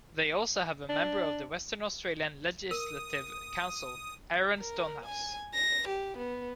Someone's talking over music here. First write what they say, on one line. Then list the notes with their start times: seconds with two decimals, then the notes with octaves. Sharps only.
They also have a Member of the Western Australian Legislative Council, Aaron Stonehouse.
0.90 D4
2.71 A#4 D#6
4.59 A#4
5.05 G#5
5.54 A#6
5.88 G4
6.17 B3